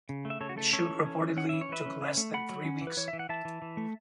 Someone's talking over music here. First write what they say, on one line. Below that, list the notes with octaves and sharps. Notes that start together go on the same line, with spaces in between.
The shoot reportedly took less than three weeks.
C#3
A3
E5
C#3 A4 C#5
F#4
A3 A4
C#4 A4 C#5
E3
C#4
C#4
C#4 F#5
E3 E5
C#5
E3 B4 E5
C#4
C#4
A3
A3 F#5 B5
F#3
C#4
E3
B4
E3 C#5
E5
E3
F#5
E3 E5 A5
E3
E3
A3